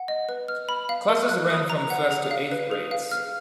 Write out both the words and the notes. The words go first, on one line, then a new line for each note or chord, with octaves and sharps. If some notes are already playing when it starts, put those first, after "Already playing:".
Classes ran from first to eighth grades.
Already playing: F#5
D#5
B4
F6
B5
F5
A#4
F#6
D#6
A#5
F#5
G#4
F5
B4
G#4
F5
F6